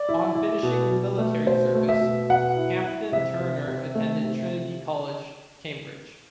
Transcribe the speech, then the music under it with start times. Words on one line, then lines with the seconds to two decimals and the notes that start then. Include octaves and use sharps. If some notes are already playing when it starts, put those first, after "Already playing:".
On finishing military service, Hampden-Turner attended Trinity College, Cambridge.
Already playing: D5
0.09 E4
0.35 E4
0.63 B2
0.91 B2
1.18 A3
1.46 B2 C5
1.75 A3
1.89 E5
2.01 B2
2.30 B2 F#5
2.57 E4
2.84 E4
3.12 C3 E5
3.40 C3
3.68 C3
3.95 A3
4.24 C3